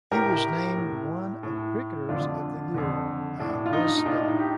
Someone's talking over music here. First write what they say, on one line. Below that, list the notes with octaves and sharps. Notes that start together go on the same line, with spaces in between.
He was named one of Cricketers of the Year by "Wisden".
A2 G4 A#4
A2
A2
F2 D3 D4 F4
F2 D3
A2 D4
F4
D#4
D#4
A2 D4 F4
D#4
G4